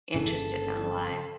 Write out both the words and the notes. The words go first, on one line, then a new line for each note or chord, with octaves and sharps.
interested and alive.
G1 C#3 A4